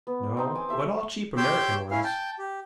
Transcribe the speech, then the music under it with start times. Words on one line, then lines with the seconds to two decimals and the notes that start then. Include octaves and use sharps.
"No, but all cheap American ones."
0.07 B3
0.23 D5
0.37 C4 D#4 C6
0.55 G#5 D6
0.69 G4 A4 E5 C6
1.37 G4 C#5 C6 D6 E6 G6
1.91 C#4 E4 F5
2.04 G5 A5
2.39 G4